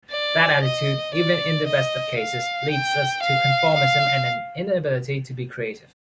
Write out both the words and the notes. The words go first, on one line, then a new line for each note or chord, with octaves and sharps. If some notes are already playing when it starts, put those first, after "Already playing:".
That attitude, even in the best of cases, leads us to conformism and an inability to be creative.
D5
D#5
D5
D#5
F5
G5
F5
F5